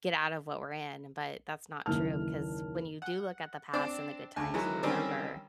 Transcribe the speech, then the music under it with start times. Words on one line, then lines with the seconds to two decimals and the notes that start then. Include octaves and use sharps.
get out of what we're in, but that's not true, because when you do look at the past and the good times, you remember,
1.86 F#1 D#2 E3 A#4 A5 F6
3.02 F#5
3.73 C4 D4 D5
4.36 D2
4.54 D#3 E3 F#3 G#3
4.83 D3 D#3 G3 C4 C#4